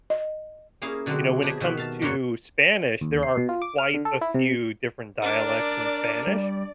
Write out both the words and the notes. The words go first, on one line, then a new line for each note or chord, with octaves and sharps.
you know, when it comes to Spanish, there are quite a few different dialects in Spanish.
D#5
A#3 C#4 E4 G#4 F5
B2 D3 F#3 G#3 C4
D4 E4 G4 G#4
B2 D#3 E5
F5 A5
F#2 A#2 A#3 C#5 C6
D#2
C7
B2
F4
D6
F6
D3
A4
E4
C3
D4 A#4 D5
G3